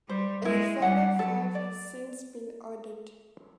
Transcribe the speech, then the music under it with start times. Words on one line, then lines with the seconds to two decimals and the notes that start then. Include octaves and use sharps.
A further five has since been ordered.
0.09 G3 C5
0.45 G#3 E4
0.82 G3 F#5
1.19 F#3 A4
1.55 D5